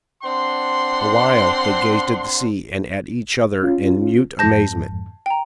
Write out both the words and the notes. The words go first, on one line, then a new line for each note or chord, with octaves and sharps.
Awhile, they gazed at the sea and at each other in mute amazement.
C4 D4 F#5 C6
C#4 F4
F2 G#2 A5 G6 A#6
G5 A#5